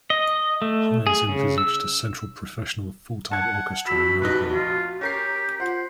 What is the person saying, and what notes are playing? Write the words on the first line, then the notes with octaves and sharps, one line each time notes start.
Heinze envisaged a central professional full-time orchestra in Melbourne.
D#5
A3
G#4
C#3
E6
F#5 A5 G#6
F2 F#4 B5 E6 E7
F1 A#1 D#4 B4
F4
C#4 G4 A#4 C7
F4 C5 F#5